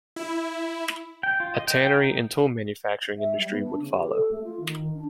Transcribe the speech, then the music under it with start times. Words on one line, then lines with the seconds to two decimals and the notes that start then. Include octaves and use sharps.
A tannery and tool manufacturing industry would follow.
0.16 E4
1.23 G5
1.40 F4
1.55 D#5
1.67 G5
1.81 G5
1.95 D#4
3.18 E5
3.36 G3
3.51 B3
3.64 D4
3.79 C#3
3.91 G4
4.08 A4
4.31 A3
4.43 F4
4.60 D#3
4.94 D4